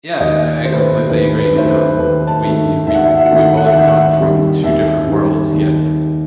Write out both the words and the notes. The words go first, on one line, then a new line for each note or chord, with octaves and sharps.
yeah, I I completely agree, you know, t we've we c we both come from two different worlds, yet,
D#2 D#5
D#3 A3 C5
B4
C5
D#2 B4
B4
D#3 A3 C5
B4
D#2 B4
A5
D#3 A3
D#2 E5
F#5
E5
F#5
E5
F#5
D#3 A3 E5
F#5
E5
F#5
E5
F#5
D#2 E5
F#5
E5
D#3 G3
D#2 E5
D#3 G3
D#2